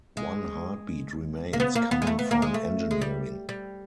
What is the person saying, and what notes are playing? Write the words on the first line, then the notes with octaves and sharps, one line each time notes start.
One heartbeat remains, coming from Engineering.
G#3
A#3
B3
A#3
B3
G#3
A3
B3
A#3
G#3
A3
G#3
G3
G3